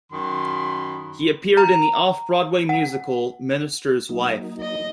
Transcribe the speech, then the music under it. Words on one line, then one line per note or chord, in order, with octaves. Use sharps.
He appeared in the Off-Broadway musical "Minister's Wife".
F#2 D#3 B5 C6
A#5
F#5
F#3 A#3 D#4
D#5